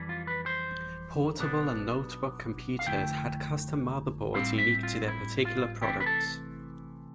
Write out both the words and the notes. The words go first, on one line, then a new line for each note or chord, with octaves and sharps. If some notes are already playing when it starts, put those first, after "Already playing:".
Portable and notebook computers had custom motherboards unique to their particular products.
Already playing: F2 E3 G3
F4
B4
C5
B1 B2 B3 D4
F5
F2 D3 A3 E4 G5
A2 G3 C4 E4 F5
E5
F4
E4
F4
C3 E3 A3 E4 G4
B4
A4